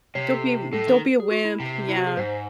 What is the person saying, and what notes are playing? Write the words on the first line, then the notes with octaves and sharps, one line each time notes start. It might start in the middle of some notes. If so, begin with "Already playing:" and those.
Don't be m don't be a wimp, yeah.
C3 C#5
A4
A2 A4
D#3
G#4
F#4
E4
C3
E4
F#4
G#4
G#2 C5